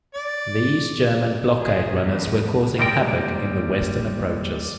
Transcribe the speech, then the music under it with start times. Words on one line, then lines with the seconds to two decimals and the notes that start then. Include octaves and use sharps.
These German blockade runners were causing havoc in the Western Approaches.
0.14 D5
1.61 G#4
2.00 E2
2.78 D#2 G3 G#3 A#4 G5